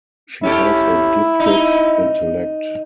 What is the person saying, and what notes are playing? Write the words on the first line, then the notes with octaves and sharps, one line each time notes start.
She has a gifted intellect.
C#4 E4 G4 A4
D#4